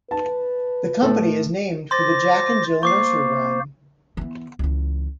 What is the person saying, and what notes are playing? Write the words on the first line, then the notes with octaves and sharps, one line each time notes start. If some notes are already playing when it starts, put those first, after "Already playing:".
The company is named for the Jack and Jill nursery rhyme.
B4 A5
A2 A4
C5 C6 D6 A6 A#6
A#3 C5 C#6 D6 C7
E3 B3
C#2 E3